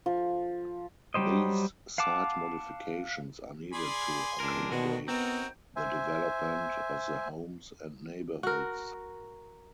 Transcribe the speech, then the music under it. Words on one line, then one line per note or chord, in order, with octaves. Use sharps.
These site modifications are needed to accommodate the development of the homes and neighborhoods.
F3
F#3 G3 G4 C5 D#5
F5 F#5 A5 D6
G#4 D5 G#5 B5 C6
C#2 D4 A#4
B2 D#3 D4 F#4
B3 C4 D#4 F#4 A#4
C5 E5 G#5
F#4 A#4